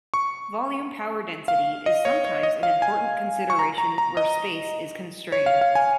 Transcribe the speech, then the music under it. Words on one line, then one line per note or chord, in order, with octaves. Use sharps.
Volume power density is sometimes an important consideration where space is constrained.
C#6
F5
D#5
C#5
C#5
D#5
F5
G#5
C#6
A#5
A#5
A#5
D#5
C#5
F5
F5
G#5